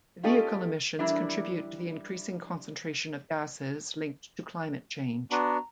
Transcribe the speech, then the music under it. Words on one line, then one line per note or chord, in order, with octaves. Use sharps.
Vehicle emissions contribute to the increasing concentration of gases linked to climate change.
C#4 F4 G4 A4 D#5
E3 G3 D4 E4 A#4
B3 D4 F#4 A#5